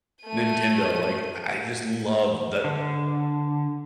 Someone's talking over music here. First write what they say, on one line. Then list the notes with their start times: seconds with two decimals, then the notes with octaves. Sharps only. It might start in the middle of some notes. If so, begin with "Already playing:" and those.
Nintendo, like, I I just love tha
0.25 A3 D#7
2.64 D3